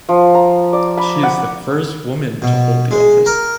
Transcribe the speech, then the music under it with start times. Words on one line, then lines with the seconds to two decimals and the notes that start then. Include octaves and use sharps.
She is the first woman to hold the office.
0.09 F3
0.35 A#5
0.73 D5
0.97 B5
1.23 F#5
2.42 B2
2.91 G#3
3.26 A#4